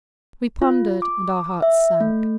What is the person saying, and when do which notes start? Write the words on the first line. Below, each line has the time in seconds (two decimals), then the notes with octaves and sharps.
We pondered, and our hearts sank.
0.62 F4
1.02 D6
1.62 E5
2.00 A3